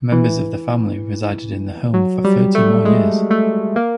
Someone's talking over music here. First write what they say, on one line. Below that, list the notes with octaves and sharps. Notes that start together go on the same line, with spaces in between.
Members of the family resided in the home for thirty more years.
E3
F#3
G3
A3
G#3
A3
A#3